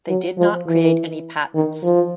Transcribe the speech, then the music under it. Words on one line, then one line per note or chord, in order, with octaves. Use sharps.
They did not create any patents.
F#3
F3
E3
D#3
F3